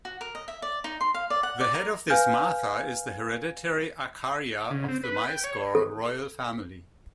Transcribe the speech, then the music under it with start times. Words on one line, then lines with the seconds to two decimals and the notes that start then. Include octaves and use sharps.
The head of this Matha is the hereditary Acharya of the Mysore Royal Family.
0.05 F#4
0.21 A#4
0.35 D#5
0.48 E5
0.62 D5
0.84 D#4
1.01 C6
1.14 F5
1.30 D5
1.43 F#5
1.60 D5
1.74 A#4
2.09 B4 F5 G#5 F6 G6
4.71 C#3
4.88 C4
5.03 B4
5.27 G5
5.44 C#5
5.75 A4